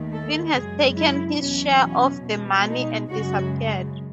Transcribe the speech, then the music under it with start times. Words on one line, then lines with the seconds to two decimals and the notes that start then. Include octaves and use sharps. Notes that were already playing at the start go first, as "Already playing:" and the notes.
Finn has taken his share of the money and disappeared.
Already playing: D#2 D#3 A3
0.12 A4
0.54 F#2 C#3 G#3 G#4
0.97 E4
1.39 E2 B2 F#3 C#4
1.82 C#4
2.26 B2 G#3
2.69 D#4
3.11 F#2 C#3 G#3 F#4